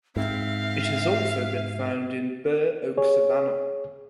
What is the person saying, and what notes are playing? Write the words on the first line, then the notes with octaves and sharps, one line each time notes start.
It has also been found in bur oak savanna.
G#2 C4 E5 F5
G#4 C#5